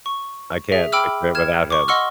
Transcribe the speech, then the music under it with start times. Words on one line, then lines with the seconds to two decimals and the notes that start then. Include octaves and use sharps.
I can't picture it without him.
0.06 C#6
0.72 G#4 E5
0.92 G5 B5 D6 E6 F6
1.35 F6 G#6 E7
1.70 C#6 D6
1.88 D#5 F#5 C6 C#6 E6 F6